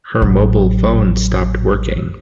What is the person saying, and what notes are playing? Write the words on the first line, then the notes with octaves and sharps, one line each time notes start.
Her mobile phone stopped working.
A1 F#3